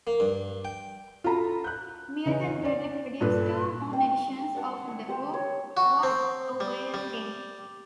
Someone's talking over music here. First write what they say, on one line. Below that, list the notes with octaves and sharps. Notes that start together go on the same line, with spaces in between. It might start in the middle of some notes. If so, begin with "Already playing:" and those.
Milton Bradley produced two home editions of "The Who, What, or Where Game".
A#3
G2
G5
F4 F#4 A4 A#5 B5
F#6 G6
C#3 E3 C#4 D#4
C#4
C#4 D5
G2 A#2 A4 B4
F5 G5
F#5 A5 D6
E4 C#6
G4 C5 G5
C#5
F#4
C4
G3
G3